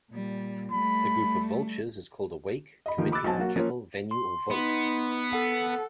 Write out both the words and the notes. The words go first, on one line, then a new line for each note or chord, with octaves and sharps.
A group of vultures is called a wake, committee, kettle, venue, or volt.
A#2 G3
G3 A3 B5
D#5 B5
D2 D#3 F3 A#3
B5 D6 E6 F#6 A6
B1 F#3 C4 G#5 A5
F#3 A#3 F#4
F3 A#3 C#4 F4
C6
B3 D#4
A4 F#5